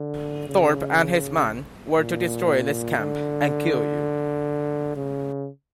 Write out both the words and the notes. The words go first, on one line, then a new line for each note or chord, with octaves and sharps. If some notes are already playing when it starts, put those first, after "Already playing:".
Thorpe and his men were to destroy this camp, and kill you.
Already playing: D3
C#3
A#2
D3
C#3